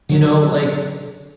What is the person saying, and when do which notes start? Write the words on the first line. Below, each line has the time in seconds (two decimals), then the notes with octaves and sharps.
you know, like
0.09 D3 F#3